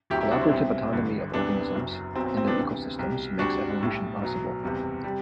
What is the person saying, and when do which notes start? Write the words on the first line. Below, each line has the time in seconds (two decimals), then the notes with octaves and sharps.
Collaborative autonomy of organisms in their ecosystems makes evolution possible.
0.10 D2 C3 F#3 E4 G4
0.21 E4 G4
0.31 D4 F#4
0.41 C4 E4
0.51 C2 B2 G3
0.93 A1 G2 D3
1.33 E1 D2 C3 E3 B3 D4
1.75 F#1 F#2 F#3
2.15 B1 B2 F#3 C4
2.26 C4
2.37 C4
2.47 B3 D4
2.57 D2 C3 E3
2.98 C2 B2 G3
3.39 D2 C3 G3 D4 F#4
3.81 B1 A2 G3
4.22 B1 B2 F#3
4.63 F#1 E2 C3 G3
5.04 C3 G3